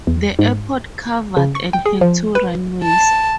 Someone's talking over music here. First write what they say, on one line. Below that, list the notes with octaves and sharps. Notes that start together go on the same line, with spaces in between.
The airport covered and had two runways.
E2
G#2
C#3
C#6
G5
G#4
F3
B4
A5